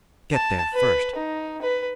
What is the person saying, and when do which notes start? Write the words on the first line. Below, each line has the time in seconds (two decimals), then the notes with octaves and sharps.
Get there first!
0.32 A5
0.74 B4
1.16 D#4
1.62 B4